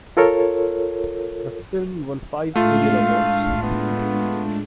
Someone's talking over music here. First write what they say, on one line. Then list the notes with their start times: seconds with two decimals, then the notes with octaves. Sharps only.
The film won five Ariel Awards.
0.17 F4 A4 A#4 C#5
2.56 A2 G#3 A3 D4 F4 F5
3.63 B3